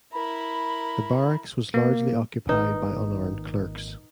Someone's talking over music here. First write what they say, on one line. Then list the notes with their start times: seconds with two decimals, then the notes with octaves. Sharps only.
The Barracks was largely occupied by unarmed clerks.
0.13 E4 A#4 B5
1.74 A#3
2.49 G#1 A#2 D#3 D#4 B4